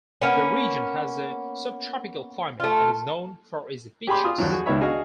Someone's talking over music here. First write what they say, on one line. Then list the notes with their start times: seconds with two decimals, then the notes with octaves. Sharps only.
The region has a subtropical climate and is known for its beaches.
0.21 A#3 B3 C#4
2.60 A3 F4
4.07 G4 G#4 G5 B5 C6 D6
4.24 F4 D#6
4.38 D#2 F3 F#3
4.51 F#4 G#4
4.66 C#2 D#3 B3 C#5 E5 B5
4.80 D4 F#4 G#4 D#5 F5